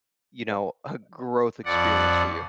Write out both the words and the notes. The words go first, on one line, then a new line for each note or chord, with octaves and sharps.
you know, a growth experience for you.
F2 D5 F#5